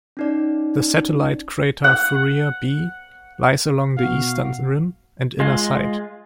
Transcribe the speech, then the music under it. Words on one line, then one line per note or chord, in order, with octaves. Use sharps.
The satellite crater Fourier B lies along the eastern rim and inner side.
C#4 D#4 D5
F#5
B2 F#4 F5
G#3 F4